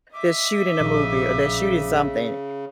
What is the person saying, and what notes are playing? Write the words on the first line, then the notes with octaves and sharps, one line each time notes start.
they're shooting a movie or they're shooting something.
D#5 E5 D6
A#1 C#3